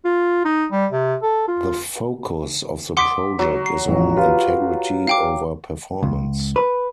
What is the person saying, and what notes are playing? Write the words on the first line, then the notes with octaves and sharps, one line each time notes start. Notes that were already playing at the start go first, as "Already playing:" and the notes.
The focus of the project is on integrity over performance.
F4
D#4
G3
C3
A4
F4
F#5 C6 D6 D#6 B6 D7
F#3
C7
A1 F3
F4 G4 B4
F5 G5 D6
C#2
B4